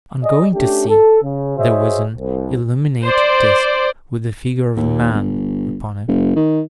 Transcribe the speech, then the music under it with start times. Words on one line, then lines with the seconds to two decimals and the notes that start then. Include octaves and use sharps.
On going to see, there was an illuminated disk, with the figure of a man upon it.
0.22 G#4 D5 D#5
0.54 A3 C#4 D4 G4
0.89 A4
1.22 C#3
1.57 F#4 G#4 C5 C#5 D#5 E5
2.15 C2
3.03 C5 D5
4.77 D#2
5.13 G1
6.08 F#1
6.36 D#3